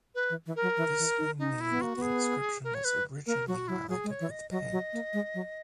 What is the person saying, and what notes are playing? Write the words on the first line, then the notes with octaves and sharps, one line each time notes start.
This may mean that the inscription was originally highlighted with paint.
B4
E3
E3
A#4
F#3
E3
E3
D#4
C#4 D#4
E4
B3
A#3 F#4
B3
G#4
A#4
C#5
B4
A#3 A#4
F#3 F#4
F#3 E4
F#3 G#4
G#3
C#5
E3
D#5
F#3 D#5
F#3
A#3
G#3
F#3